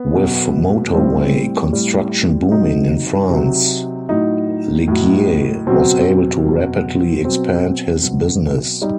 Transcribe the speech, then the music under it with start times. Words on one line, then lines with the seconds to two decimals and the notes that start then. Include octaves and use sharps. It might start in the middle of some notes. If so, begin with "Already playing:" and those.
With motorway construction booming in France, Ligier was able to rapidly expand his business.
Already playing: B3
0.15 B2 F#3
0.94 A2 G3 C4
1.73 A2 G3
2.51 C3 F#3 D#4
3.30 C3 F#3
4.09 A2 F#3 D#4
4.88 A2 F#3
5.67 B2 F#3 C4
6.45 B2 F#3
7.24 B2 F#3 C4
8.03 B2 F#3
8.82 G3 D#4